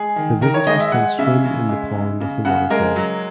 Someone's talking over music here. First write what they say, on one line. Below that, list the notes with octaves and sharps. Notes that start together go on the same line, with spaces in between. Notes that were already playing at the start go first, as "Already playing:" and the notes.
The visitors can swim in the pond of the waterfall.
Already playing: G#3 G#4
D#3
D#3 A#4
C#5
G#3 D#5
E5
G#3 F#5
C#3 E5
C#3
G#3
G#3
C#3
C#3 F#5
G#3 A#4
F#3